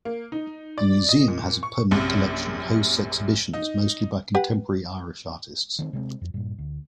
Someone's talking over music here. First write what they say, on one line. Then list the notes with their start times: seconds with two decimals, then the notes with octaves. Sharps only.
The museum has a permanent collection and hosts exhibitions, mostly by contemporary Irish artists.
0.05 A#3
0.32 D#4
0.78 D5
1.09 D#5
1.28 A#2
1.63 C#6
1.91 A#1 F#2 C3
3.54 D#4
4.35 G4 B4 F#5
5.79 D#3 A3 C4
5.93 C3 G#3 A3 C4
6.21 F2
6.34 G2 A#2
6.58 D2